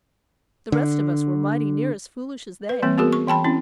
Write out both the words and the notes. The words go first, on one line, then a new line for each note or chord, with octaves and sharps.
The rest of us were mighty near as foolish as they.
D3
B4
E3 G3 A#3 C4
B3 F#4 G#4 A#4
C#6
E3 G5 A5 B5
C4 C#4 E4